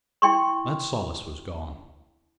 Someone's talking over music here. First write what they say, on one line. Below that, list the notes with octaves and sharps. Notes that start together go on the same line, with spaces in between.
That solace was gone.
E4 G5 C6 C#6